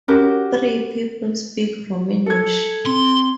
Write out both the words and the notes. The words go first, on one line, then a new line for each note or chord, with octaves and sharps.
Three people speak Romansh.
C#4 F#4 G4 A#4
A4 G#6 C#7
C4 C6